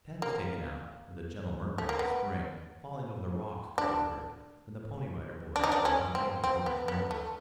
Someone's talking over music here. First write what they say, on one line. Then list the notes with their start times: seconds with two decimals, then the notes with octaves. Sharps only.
Tad was taken out where the gentle murmur of the Spring falling over the rocks could be heard when the Pony Rider Boys were not making too much noise.
0.22 A#3
1.78 A3
1.89 A#3
1.99 B3
3.78 D4
5.56 D4
5.64 D#4
5.72 D4
5.85 C#4
6.15 C4
6.44 C4
6.66 B3
6.88 B3
7.11 A3